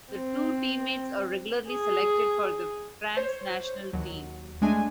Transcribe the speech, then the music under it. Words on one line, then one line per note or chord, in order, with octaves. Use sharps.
The two teammates are regularly selected for the France national team.
C4
G#4
C5 C#5
D#2 F#3
G#3 A3 D4 G#5